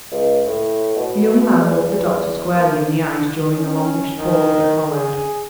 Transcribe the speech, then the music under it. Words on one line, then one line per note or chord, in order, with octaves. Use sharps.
The young man looked the doctor squarely in the eyes during the longish pause that followed.
C#2
A2
B2
E2
A#3
C#4
D#3
G#4